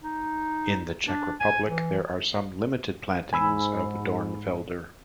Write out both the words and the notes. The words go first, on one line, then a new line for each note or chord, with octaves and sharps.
In the Czech Republic, there are some limited plantings of Dornfelder.
D#4
D4
G#5
E3
G#2 G#5 B5 E6